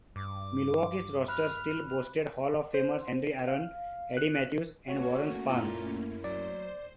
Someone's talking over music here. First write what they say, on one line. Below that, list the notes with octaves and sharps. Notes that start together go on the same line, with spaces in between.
Milwaukee's roster still boasted Hall of Famers Henry Aaron, Eddie Mathews and Warren Spahn.
G2 D6
B5 F6 F#6
C5
F5
F#6
A3 A#3 C#4 F#4 C#5
F#2 A#2 E4
F#3 C5 D5